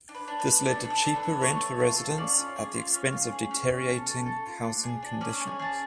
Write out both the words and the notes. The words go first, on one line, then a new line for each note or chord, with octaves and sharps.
This led to cheaper rent for residents at the expense of deteriorating housing conditions.
D4
B4
D4
B4
D4
D4 A4
D4
A4
D4
B4
D4
A3 C#5
A4
F4
A4
C#4 D5
F4
G#4
F4
C#4
F4
G#4
C#4
C#4
A4
A4
A4
F4
D4
G#4
D4
C#4 D5
G#4
G#5
G#4 A5